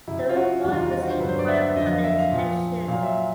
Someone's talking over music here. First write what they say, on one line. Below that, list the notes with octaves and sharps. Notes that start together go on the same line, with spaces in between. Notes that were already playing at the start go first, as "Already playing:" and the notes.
The Report received wide public attention.
F#2 C#3 F#3 E4
F4
F#4
E2 C3 D#3 G3 F#4
F4
D#4
F4
F#4
C5
G2 D3 F#3 B4
C5
D5
E5
E5
F2 D3 F#3 D#5
F5
E5
F5
A#2 F3
A#2 F#3 F5
E5